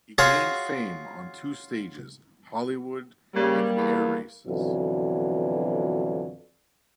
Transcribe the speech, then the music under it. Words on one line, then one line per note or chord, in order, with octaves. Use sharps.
He gained fame on two stages: Hollywood and in air races.
F4 F#4 G#4 C#5 F#5
C#3 G3 A#3
E2
F2 B2 D3 E3 F#3